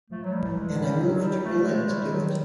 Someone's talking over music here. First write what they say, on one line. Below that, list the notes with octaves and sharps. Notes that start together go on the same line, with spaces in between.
And I moved to Berlin to do it.
F3 A3
F#3
G3
E3
G#3
D#3
G3
F#3
F#3
G3
A3
G#3
D#3 G3
F#3
F#3